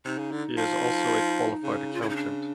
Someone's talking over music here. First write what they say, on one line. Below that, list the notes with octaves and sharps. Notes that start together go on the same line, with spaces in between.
He is also a qualified accountant.
C3 D#4
C#3
D3
F3
C#3
F4
E4
D#4
D4